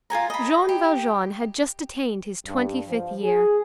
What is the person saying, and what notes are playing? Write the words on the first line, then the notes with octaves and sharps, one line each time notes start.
Jean Valjean had just attained his twenty-fifth year.
F4 A4 G#5 A#5
D#5 B5
G4
G2
F3
G#4